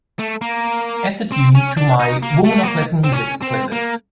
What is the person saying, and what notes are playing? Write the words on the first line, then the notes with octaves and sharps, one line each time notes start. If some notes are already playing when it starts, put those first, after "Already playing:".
Add the tune to my Women of Latin Music playlist.
A3
A#3
C4
C#4
D4
D#4
A#3
A3
B3
A#3
C4
C#4
C4
A#3